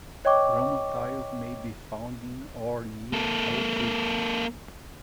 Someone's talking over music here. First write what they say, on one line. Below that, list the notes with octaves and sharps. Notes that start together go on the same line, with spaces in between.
Roman tiles may be found in or near all three.
C#5 D#5 G5 C#6 D6
A#3 A4